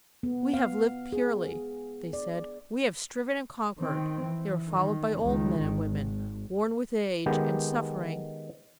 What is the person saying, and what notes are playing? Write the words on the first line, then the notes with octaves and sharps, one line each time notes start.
"We have lived purely," they said, "we have striven and conquered." They were followed by old men and women, worn with age and suffering.
B3
F5
G#4
D5
D#3 C4
E3
D#3
C#2 D#3
G#1
D#3 G#3 B3 G4